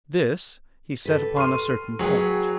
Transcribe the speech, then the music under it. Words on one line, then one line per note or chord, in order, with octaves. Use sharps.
This he set upon a certain point.
G4 A4 B4
C6 F6 D#7
F#3 F#4 G#4 B4 G5